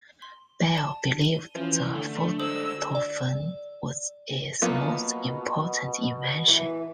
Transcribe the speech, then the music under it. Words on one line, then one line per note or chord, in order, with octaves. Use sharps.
Bell believed the photophone was his most important invention.
C6
D5 A5
D#7 G7
E3 F3 C#4
D3 A3
F#3 G#3 A4 C5 D#6 E6
D5
B2 F#3 A#3 B3 F4
E3 B4